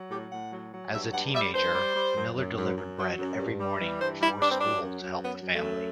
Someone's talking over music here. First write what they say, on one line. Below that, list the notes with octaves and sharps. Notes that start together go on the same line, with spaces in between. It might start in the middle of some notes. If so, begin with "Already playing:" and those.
As a teenager, Miller delivered bread every morning before school to help the family.
Already playing: F#3
A2 G4
A2 F#5
F#3
F#3
G2 E5
G2 F#5
G3 E5
G2 C5
G3
G3
F#2
F#2
F#2
F#2
F#3
F#2
G2
G3
E3
G2 C5
G3 E4
G2 D4
C4
F#3 D4
F#2
F#2
F#3 B3
F#2
A3
F#2